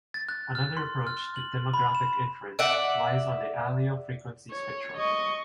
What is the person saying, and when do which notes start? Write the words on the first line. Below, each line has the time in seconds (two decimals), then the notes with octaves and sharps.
Another approach to demographic inference relies on the allele frequency spectrum.
0.14 A6
0.29 F#6
0.55 F6
0.77 C6
1.07 F6
1.36 F#7
1.74 B5
1.95 E7
2.59 D5 E5 F#5
4.52 C#5
4.97 D#5 C#6